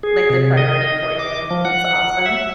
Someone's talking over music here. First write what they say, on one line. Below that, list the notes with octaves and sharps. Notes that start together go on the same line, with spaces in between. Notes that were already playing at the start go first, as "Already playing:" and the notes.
Like the priority for you. That's awesome.
G#4
C3
D#5
D6
F3
F#5
E5